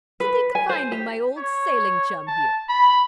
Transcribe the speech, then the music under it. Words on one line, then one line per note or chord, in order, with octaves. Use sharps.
To think of finding my old sailing chum here!
B4
G#5
C5
G4
C#5
A5
B5